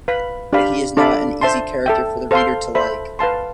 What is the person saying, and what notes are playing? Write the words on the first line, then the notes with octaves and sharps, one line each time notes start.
But he is not an easy character for the reader to like.
B4 F5 B5
D4 G4 D5 F5 B5
D4 A4 D5 F5 B5
C5 E5 A5 C6
A4 E5 G5
A4 C5 F5 C6
A4 C5 E5 B5
B4 F5 A5 C6